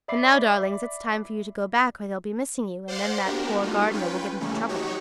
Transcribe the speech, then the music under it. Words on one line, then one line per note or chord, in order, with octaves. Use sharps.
"And now darlings it's time for you to go back or they'll be missing you and then that poor Gardener will get into trouble!"
D5 E5 B5 D6 C7
C5 D5 F5 F#5 C6
A#3 B3 D4 F#4 G4 A#4
F#3 G3 A3 D#4 F4
C#4 F4 B4 G5
C#3 E3 G3 A3 A#3 C#4
F#3 D#4 F#4 G4 C#5